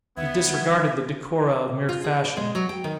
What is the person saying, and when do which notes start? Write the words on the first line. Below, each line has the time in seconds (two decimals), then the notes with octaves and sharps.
He disregarded the decora of mere fashion.
0.17 D#2 B3 E5 G#6
0.48 D#3 G3
1.89 F4
2.04 G#4
2.25 D5
2.37 G#3
2.55 F#3
2.69 G5
2.84 D#3